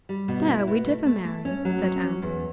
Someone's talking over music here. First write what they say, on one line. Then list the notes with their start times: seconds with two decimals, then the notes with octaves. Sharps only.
"There we differ, Mary," said Anne.
0.09 G3
0.28 B2
0.47 E4
0.67 B2
0.86 A3
1.06 A3
1.25 A3
1.45 C#4
1.65 F#3
1.83 C#4
2.04 C#4
2.22 E2